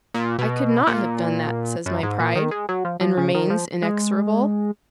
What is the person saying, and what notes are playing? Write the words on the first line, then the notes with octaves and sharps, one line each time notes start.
"I could not have done that," says my pride, and remains inexorable.
A#2
B2
A#2
F#2
G#2
A#2
D#3
G#3
F#3
F3
F3
C#3
D#3
F3
G#3